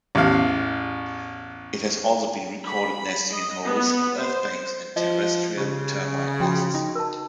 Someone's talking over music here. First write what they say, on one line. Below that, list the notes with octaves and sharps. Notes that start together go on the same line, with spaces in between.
It has also been recorded nesting in holes in earth-banks and terrestrial termite-nests.
A1 E2 F5
B5
D#5
B3
C5
F3 D#5
C#3 G4
F3 F#4 G5
D#4
A#4 A5